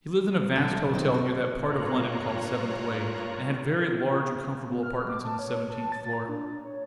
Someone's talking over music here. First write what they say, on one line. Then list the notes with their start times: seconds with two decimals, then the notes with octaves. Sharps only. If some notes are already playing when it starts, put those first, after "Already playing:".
He lived in a vast hotel near that part of London called Seventh Way, and had very large and comfortable apartments on the seventeenth floor.
0.56 B1 D3
0.93 D#3 C4
1.14 F#4
1.66 G2 A#3 F4 C#5 A#5 F#6
4.66 B3
4.83 F6
5.09 D6
5.24 A5
5.39 C#5
5.70 A5
5.92 A6
6.13 A#5
6.29 D4
6.65 C#5